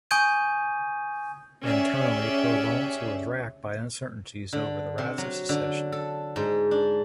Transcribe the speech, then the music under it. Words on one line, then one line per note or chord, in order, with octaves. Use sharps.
Internally, Provence was racked by uncertainties over the rights of succession.
G#5 C#6 D#6 G6 G#6 D#7
C#4 G4 G#4 D5 E5
D3
C3
F#3
D3
A4
G#2
D4